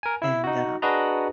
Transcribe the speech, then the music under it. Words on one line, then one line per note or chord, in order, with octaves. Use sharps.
and uh
A#4 G#5
E4 E6
D#4 F#4
D4 F#4 G#4 B4 D#5 A#5